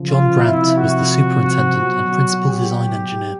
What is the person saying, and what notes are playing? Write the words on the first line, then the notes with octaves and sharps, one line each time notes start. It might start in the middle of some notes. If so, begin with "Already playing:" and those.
John Brandt was the superintendent and principal design engineer.
Already playing: C#3 F3
F4
C3 F3 E4
F#4
B2 F#3
G4